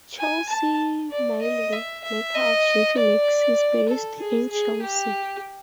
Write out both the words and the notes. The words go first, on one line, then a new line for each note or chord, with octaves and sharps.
Chelsea Milling, maker of Jiffy Mix, is based in Chelsea.
G#5
A5
D5
D#5
E5
E5
D#5
D5
A4
G#4
G#4
G4